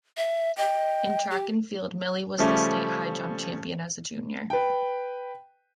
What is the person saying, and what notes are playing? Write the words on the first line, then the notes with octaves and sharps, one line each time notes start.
In track and field, Mili was the state high jump champion as a junior.
E5
D#5 G5
G4
C#3 F3 G3 A3 C#4
B4 G5